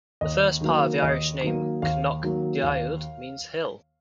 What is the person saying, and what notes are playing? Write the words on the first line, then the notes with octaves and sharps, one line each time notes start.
The first part of the Irish name "Cnoc Daod" means "hill".
D#2 D#5
D#3 F#3 A#3
D#2 D#5
D#3 F#3 A#3
D#2 F5
D#3 F#3 A#3
D#2 F5